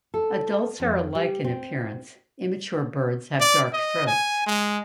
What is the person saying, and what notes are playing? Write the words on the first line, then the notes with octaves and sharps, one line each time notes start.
Adults are alike in appearance; immature birds have dark throats.
A4
F2
G3
C4
D5
D#5
G#5
G#3